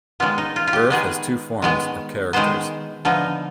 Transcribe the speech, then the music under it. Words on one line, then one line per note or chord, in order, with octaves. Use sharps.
Earth has two forms, or characters.
D#3 G#3 B3 F4
D#4
F4
F4
G4
D#3 G#3 B3 G#4
D#3 G#3 B3
D#3 G#3 B3 C5
D3 F3 B3 D#4